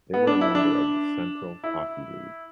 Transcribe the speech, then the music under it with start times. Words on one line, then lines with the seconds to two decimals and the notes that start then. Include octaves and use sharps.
They were a member of the Central Hockey League.
0.14 B3
0.27 D4
0.41 E4
0.55 D4
1.64 E4